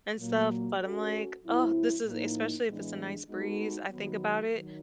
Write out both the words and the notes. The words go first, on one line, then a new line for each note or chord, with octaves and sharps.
and stuff, but I'm, like, "Oh, this is" especially if it's a nice breeze, I think about it,
A#2 F#3 A#3
A3 C#4 F#4 A4
A2 F#3 A3 C4 E4
A2 F3 A#3 D#4
A2 E3 G#3 B3 D4
G#3 B3 D#4 F#4 A4
D#3 F#3 B3
D#3 F#3